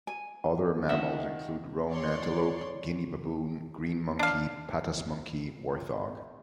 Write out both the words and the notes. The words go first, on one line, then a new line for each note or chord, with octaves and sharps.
Other mammals include roan antelope, Guinea baboon, green monkey, patas monkey, warthog.
G#5
D#3 A#3 D#5 E5 F#5
C#5 D5 C6
D4 F5